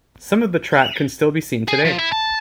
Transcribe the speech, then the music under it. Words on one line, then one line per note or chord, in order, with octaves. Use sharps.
Some of the track can still be seen today.
G#4
F3
E4
A5